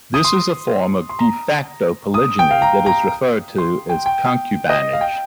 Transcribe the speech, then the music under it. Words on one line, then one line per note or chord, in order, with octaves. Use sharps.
This is a form of "de facto" polygyny that is referred to as concubinage.
D#6
C6
C6
A#5
D#6
G5
F5
A#5
A#5
C6
G5
G5
D#5
F5
G5